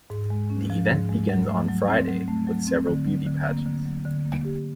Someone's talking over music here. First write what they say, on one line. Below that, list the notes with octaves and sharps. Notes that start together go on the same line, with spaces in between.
The event begins on Friday with several beauty pageants.
G#2
G#3
C#4
F3
G#2
G#3
F#3
A3
F#3
C4
F#3
A3
F#3
C4
D3
F#3
D3
A#3
D3
F#3
D3
A#3
G4